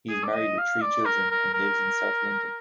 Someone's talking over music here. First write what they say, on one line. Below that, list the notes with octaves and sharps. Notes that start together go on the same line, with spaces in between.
He is married with three children and lives in south London.
G#4
D5
D#5
F5
D5
A#4
A#4
A#4